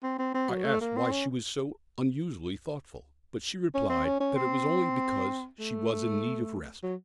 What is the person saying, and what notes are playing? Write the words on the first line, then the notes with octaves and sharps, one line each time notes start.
I asked why she was so unusually thoughtful, but she replied that it was only because she was in need of rest.
C4
C4
C4
F#3
A3
A#3
C4
C#4
C#4
C4
C#4
C#4
C4
A3
F#3